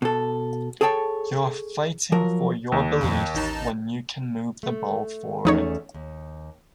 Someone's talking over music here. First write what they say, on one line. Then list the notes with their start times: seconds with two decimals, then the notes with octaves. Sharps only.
You're fighting for your beliefs when you can move the ball forward.
0.02 B2 A4
0.81 G#4 A4 C#5 G5 A5
2.12 F3 F#3 A#4
2.72 D#2
3.01 F2 A#2
3.35 A1 D#4 A5
4.63 A3
5.45 E2 F3 A3 C#4 D#4 C#5
5.94 D#2